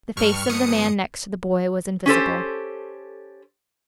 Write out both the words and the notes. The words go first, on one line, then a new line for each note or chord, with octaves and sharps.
The face of the man next to the boy was invisible.
G2 C#6 F6
G2 B3 D#6 C#7
C#4 G4 A4 C5